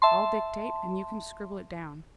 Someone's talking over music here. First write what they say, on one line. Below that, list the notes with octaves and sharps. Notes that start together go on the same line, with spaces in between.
I’ll dictate, and you can scribble it down.
E5 A5 C6